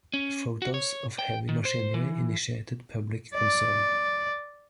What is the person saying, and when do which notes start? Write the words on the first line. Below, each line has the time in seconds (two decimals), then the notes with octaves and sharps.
The photos of heavy machinery initiated public concern.
0.14 C#4
0.62 F#4
0.74 C#5
1.19 G5
1.49 D#3
1.65 C5
1.94 E3
3.34 D5